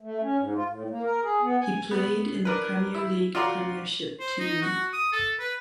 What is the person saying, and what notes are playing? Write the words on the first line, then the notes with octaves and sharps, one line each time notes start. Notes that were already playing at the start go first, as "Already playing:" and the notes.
He played in the Premier League premiership team.
A3
C#4
G#2
F4
A2
A#3
A#4
G#4
B3
G#5
B3
D4 A#4 B4
E4
F4 F#4 D5 A#5 C6
C5
D#4
F#4
D#6
A4
B4